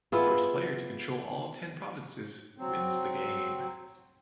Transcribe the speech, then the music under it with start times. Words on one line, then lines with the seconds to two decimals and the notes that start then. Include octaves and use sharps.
The first player to control all ten provinces wins the game.
0.12 B3 E4 F4 G#4
2.58 F#3 C4